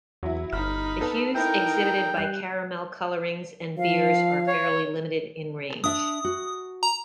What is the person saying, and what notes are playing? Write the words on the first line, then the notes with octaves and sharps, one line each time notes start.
The hues exhibited by caramel colorings and beers are fairly limited in range.
E2 F#3 E4
G1 D#4 B5 F6
B3 A4 B4
D#4 E4 A#4 G5
G3 F#6 C7
F3 F5
C#5
D4 E5 D#6
F#4
A#5